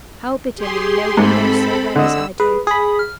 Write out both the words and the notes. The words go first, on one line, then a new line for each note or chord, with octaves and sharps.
How bitterly no one knows so well as I do.
G4 G#4 C6
G#2 C4 A4 B5
D3 D#5 E6
G#4 B4
G#4 B5 D#6
F6